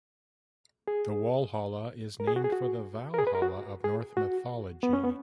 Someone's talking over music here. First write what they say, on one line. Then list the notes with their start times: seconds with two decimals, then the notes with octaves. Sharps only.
The Walhalla is named for the "Valhalla" of Norse mythology.
0.88 G#4
2.20 A#4
2.28 G#4
2.36 F#4
2.44 G#4
2.53 F#4
3.14 A#4
3.19 G#4
3.27 B4
3.35 A#4
3.42 F#4
3.84 G#4
4.17 F#4
4.83 B3
4.93 C#4
5.04 B3